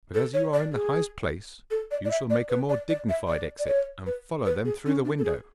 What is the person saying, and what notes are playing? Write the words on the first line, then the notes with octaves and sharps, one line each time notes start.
But as you are in the highest place you shall make a more dignified exit, and follow them through the window!'
A4
C#5
D5
G#4
A4
D5
D5
E5
D5
B4
D5
D5
E5
D5
D5
C#5
B4
B4
G#4
C#4
D4
A4
G#4